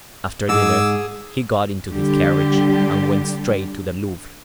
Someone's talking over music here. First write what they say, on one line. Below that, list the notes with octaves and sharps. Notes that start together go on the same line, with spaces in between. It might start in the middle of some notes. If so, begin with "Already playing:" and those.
After dinner, he got into his carriage, and went straight to the Louvre.
G#2 G#4 D6 E6
D3 G3 G4